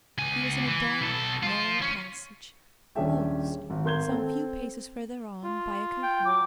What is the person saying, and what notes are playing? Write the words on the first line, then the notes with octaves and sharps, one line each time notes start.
He was in a dark narrow passage, closed, some few paces further on, by a curtain.
C#2 G#5
E3
B1 A4
F4 C5
C#4
D#1 C#4 D4 G#4 E5 G5
G#1
G#1 A#4 C6 G6 G#6 G7
C4 A4
F4
G5
F#3 D6